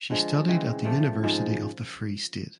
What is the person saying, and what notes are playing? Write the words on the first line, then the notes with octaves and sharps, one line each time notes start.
She studied at the University of the Free State.
D3 F3 G#3
C#3 E3 G#3 C4
A#2 F3 A3
G#2 F3 G#3